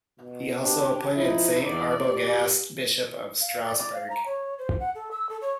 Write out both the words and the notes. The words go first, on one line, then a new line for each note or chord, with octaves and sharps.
He also appointed Saint Arbogast bishop of Strasbourg.
B2
D4 G4
F3 D#4 E4
E2 D5
G4
F5
D5
D5
F5
A#5
C#5
C5
F#5
A4
E6
A4
C#5